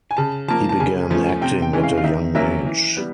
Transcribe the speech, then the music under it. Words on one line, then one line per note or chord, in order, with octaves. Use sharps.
He began acting at a young age.
G#5
C#3 A5
F3 A#3 A5
A5
C#3 G#5
F3 A3 C#4
C3 G5
G5
E3 G#3 C#4
F5
F5
D#3 E5
F#3 A#3 C#4 E5
E3
G3 B3